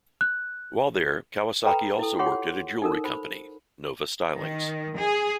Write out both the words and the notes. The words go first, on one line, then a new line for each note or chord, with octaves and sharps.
While there, Kawasaki also worked at a jewelry company, Nova Stylings.
F#6
A4 B4 G5 A#5 B5
E4 A4
F4 G4 G#4 C#5 F#5 C6
D#4 A4 A#4
C5 B5
D#3
G#4